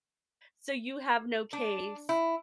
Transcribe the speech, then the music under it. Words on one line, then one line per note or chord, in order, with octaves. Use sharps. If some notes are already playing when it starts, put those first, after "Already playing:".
So you have no case."
D4
E4